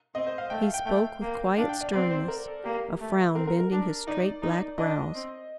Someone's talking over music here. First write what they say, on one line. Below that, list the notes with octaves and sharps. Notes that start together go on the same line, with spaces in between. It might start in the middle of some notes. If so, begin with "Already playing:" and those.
He spoke with quiet sternness, a frown bending his straight black brows.
C4 D#5
C5
F5
A3 G5
F5
G5
A3 G5
A#3
D4 F5
G5
D5
C4 D5
C5
A#4
A4
A#3 G4
A3
C4 A#4
A#4
A#4
D4
D#4 D5
D#4
D4 D#5
C4